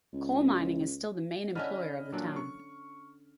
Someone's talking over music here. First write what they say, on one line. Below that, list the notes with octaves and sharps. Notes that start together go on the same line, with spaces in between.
Coal mining is still the main employer of the town.
C#2
D3 C#4 E4 D#5 B5 F6
A#2 F#3 D4
C#6